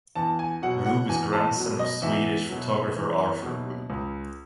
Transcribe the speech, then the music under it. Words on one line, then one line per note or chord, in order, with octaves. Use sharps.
Rube is grandson of Swedish photographer Arthur Rube.
E2 A5
G#5
B2 F#3 F#5
F#5
E2 G#5
A5
B2 F#3
D#5
E2 E5
B2 F#3
E2
B2 F#3
C#2